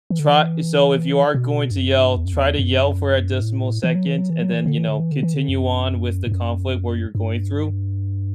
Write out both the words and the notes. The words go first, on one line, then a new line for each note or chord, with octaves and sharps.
try so, if you are going to yell, try to yell for a decimal second and then, you know, continue on with the conflict where you're going through
E3
D3
E3
B2
G2
F#2
G2
E2
F#2
E2
F#2
G2
A2
E3
F#3
E3
F#3
E3
F#3
E3
D3
E3
D3
E3
D3
E3
D3
F#2
G2
F#2
G2